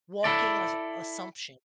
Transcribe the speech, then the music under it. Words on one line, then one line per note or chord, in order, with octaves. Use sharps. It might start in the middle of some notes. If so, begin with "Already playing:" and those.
walking assu assumption.
E4 A4 D5